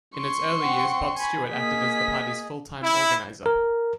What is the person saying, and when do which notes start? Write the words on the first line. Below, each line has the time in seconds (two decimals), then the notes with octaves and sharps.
In its early years, Bob Stewart acted as the party's full-time organiser.
0.16 C6 C#6
0.62 C4 F#5
1.17 G#5 B5
1.50 A#3 G#4 D#5 B6
2.81 E4
3.46 A#4